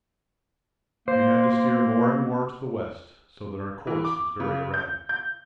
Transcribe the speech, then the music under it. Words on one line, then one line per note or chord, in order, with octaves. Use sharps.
We had to steer more and more to the west, so that our course was very erratic.
A#3 C5
E3
D6
C#3
G6
G6